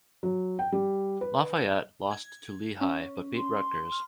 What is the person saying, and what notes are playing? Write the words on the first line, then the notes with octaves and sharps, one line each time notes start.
Lafayette lost to Lehigh but beat Rutgers.
F#3
G5
G3
B4
G#6
C#4
C6
F6